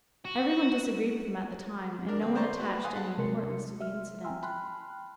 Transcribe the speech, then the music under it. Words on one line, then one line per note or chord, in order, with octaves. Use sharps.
Everyone disagreed with him at the time, and no one attached any importance to the incident.
F#4
D4 A#4
D3 C4
B4 C5 D5 A#5 C6 C#6
F#4 B4 D5
F5 F#5 G#5 C6 D#6 F#6
G#4 F#5 A5
C3 G#3 A#4 C6 C#7
E5 F6
G5 G#5 A#5 C6 E6 F6
G5 A5 B5 C6 F6 F#6